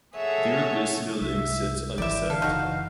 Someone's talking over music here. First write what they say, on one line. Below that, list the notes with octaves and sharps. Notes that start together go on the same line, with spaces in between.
The Urbis building sits on the site.
G#4 A4 C#5 E5 F#5
C2 E5
G#1 E3 G4 D5 E5
D3 A4 F5
F#1 E3 D#4 F#4